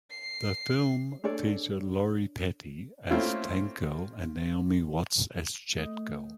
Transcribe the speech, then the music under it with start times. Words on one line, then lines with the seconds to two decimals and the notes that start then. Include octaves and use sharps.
The film featured Lori Petty as Tank Girl and Naomi Watts as Jet Girl.
0.11 C7
1.24 D4 A4 C#5 D5
3.11 A3 A#3 C4 C#4 E4 F4
5.78 A3